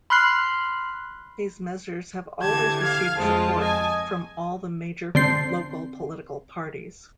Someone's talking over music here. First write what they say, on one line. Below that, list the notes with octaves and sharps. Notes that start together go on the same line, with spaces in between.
These measures have always received support from all the major local political parties.
B5 C6 F6 F#6 C7
D3 E3 G4 A5 G#6
F5
F2 G#3 F4 C5 A5
D#5 G#5
D3 C4 C7